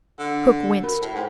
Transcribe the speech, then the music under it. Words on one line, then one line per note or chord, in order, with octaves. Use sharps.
Hook winced.
D3
F#4 A#4 B5
A2
G#2 F#5 G5